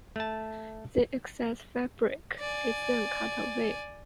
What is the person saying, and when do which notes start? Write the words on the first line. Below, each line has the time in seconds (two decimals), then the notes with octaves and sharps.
The excess fabric is then cut away.
0.16 A3 A5
2.39 D5 G#5